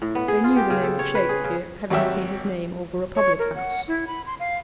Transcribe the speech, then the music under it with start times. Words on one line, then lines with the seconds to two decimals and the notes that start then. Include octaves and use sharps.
They knew the name of Shakespeare, having seen his name over a public-house.
0.02 A2
0.15 B3
0.28 G#4
0.44 F4
0.56 G4
0.70 C#3
0.83 A4
0.99 C#5
1.15 B4
1.29 G#4
1.44 C#3
1.90 G#1 F#3 F#4 G4 E5 E6
3.16 C#5
3.39 A#4
3.55 F#5
3.88 E4
4.07 B5
4.26 C6
4.40 F5